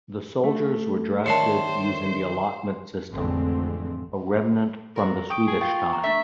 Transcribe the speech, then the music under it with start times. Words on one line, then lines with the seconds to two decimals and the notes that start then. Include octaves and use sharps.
The soldiers were drafted using the allotment system, a remnant from the Swedish time.
0.44 A3
1.26 D3 D#3 A3 C5 C#5 A5 C7 C#7
3.11 A1 F2 D3 G#3 A3 C4
4.96 F#4 A4 A#4
5.30 G5 C#6 D#6 D7
5.47 G#4
5.61 F4 G5 C#6
5.89 A#5 C#6
6.03 A3 D4 E5